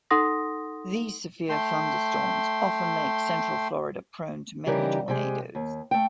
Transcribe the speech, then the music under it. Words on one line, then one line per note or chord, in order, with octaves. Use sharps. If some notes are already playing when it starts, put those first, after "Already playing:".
These severe thunderstorms often make Central Florida prone to many tornadoes.
D#4 A4 F#5 C6 D#6 A#6
A3 G5 C6
C#3 E3 G3 D#4 G4 A#4
C3 G#3 G4 G#4
D#2
A3 G5